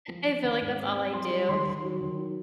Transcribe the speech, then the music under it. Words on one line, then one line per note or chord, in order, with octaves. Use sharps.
I feel like that's all I do.
F3
F3
D#3 B5
G#2
C4
C4
G3 C6
G3
D#3 C6
D#3 C6
F#3
D#3
F#3